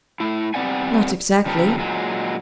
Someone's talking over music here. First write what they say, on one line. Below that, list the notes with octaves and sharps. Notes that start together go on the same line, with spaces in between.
"Not exactly."
A3 E4
G3 B3 C4 D5 F#5 G#5
C#3 F3 B3 G4 A4 A#4
A#2 F#3 G#3